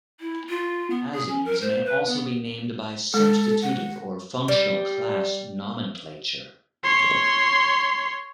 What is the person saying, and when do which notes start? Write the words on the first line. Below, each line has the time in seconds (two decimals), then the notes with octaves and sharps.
Azines may also be named by substitutive or functional class nomenclature.
0.20 E4
0.49 F4
0.90 B3
1.12 G#4
1.28 C#4
1.45 A#4
1.61 C5
1.85 B4
2.07 B3
3.14 G#3 A4
3.62 F#5
4.48 G3
6.84 C#5 C6